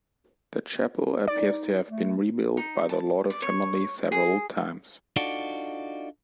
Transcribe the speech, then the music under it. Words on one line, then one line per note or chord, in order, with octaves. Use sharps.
The chapel appears to have been rebuilt by the Lauder family several times.
D#4 D5
A3
D#4
A5
D5
C#5
G#4
D4 D#4 F4 F#4 A4 D5